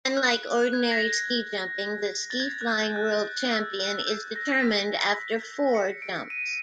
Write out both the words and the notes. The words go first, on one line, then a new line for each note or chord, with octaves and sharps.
Unlike ordinary ski jumping, the Ski Flying World Champion is determined after four jumps.
F#6
G#6
A#6
A#6
A6
G#6
F#6
G6
F#6
E6
F#6
G6
A#6
B6
C#7
D7
D#7